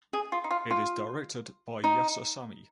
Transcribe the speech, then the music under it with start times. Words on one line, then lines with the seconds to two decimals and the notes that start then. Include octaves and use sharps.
It is directed by Yasser Sami.
0.13 G#4
0.32 F4
0.44 D#4
0.51 F4
0.70 F4
1.84 D#4